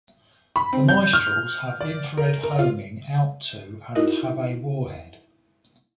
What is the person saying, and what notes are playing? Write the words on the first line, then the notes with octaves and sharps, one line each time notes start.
The Mistrals have infrared homing out to and have a warhead.
B5
C4
G6
F6
D5
A#4
A#4
F4
D#4 E4 F#4 A#4 D#5